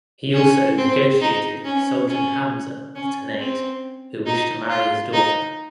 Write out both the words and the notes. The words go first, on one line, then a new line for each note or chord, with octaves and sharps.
He also negotiated with Sultan Hamza of Ternate who wished to marry his daughter.
C#4
C4
D#4
C#4
C#4
C#4
C4
D#4
F4
D#4